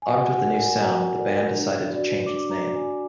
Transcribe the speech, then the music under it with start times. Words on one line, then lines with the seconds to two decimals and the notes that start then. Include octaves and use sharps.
Armed with a new sound, the band decided to change its name.
0.02 G#5
0.08 F#4 F#5
0.22 G#5
0.33 F#5
0.45 A#4 D5
0.56 G#5
0.81 F#4 A#5
1.18 A#4 D5
1.54 D4
1.89 F#4 D5
2.26 D4 D6
2.51 A#5
2.62 F#4 D5
2.75 G#5